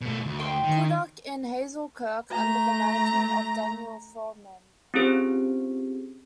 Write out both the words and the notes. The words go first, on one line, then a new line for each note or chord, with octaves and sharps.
Couldock in "Hazel Kirke" under the management of Daniel Frohman.
B2 A3
D2
G5 C6
D#3
A3 A#5
C4 C#4 F4 G4 G#4 C5